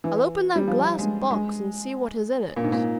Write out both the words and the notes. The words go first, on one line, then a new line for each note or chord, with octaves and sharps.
"I'll open that glass box and see what is in it."
E3
G3
F3
G#3
G#3
A#2
G#2
A#2